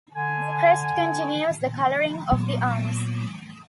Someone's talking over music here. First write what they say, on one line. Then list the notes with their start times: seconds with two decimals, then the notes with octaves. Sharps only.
The crest continues the colouring of the arms.
0.14 D3 G#5
2.32 A#2 F#3 B3